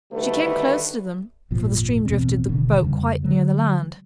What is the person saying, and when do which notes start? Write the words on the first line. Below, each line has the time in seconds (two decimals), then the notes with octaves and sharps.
She came close to them, for the stream drifted the boat quite near the land.
0.12 D2 D#3 G3 A3 B4
1.51 G#1 F2 A#2 F3
2.06 A1 E2 B2 C4
2.48 E1 B2 D3 D#3
2.84 F2 C#3 G3
3.24 D3 F#3 G#3